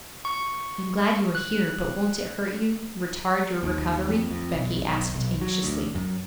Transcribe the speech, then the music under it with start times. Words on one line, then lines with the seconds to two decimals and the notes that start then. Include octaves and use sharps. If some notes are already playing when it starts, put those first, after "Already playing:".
I am glad you are here, but won't it hurt you, retard your recovery?' Becky asked anxiously.
0.25 C#6
1.35 F#6
3.63 D#2
4.08 F2
4.31 F2
4.54 B1
4.85 B1
5.15 B1
5.41 F#3
5.63 D2
5.95 F#2